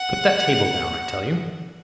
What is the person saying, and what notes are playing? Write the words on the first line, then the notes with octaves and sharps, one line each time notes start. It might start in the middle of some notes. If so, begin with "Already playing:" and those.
"Put that table down, I tell you."
Already playing: F#5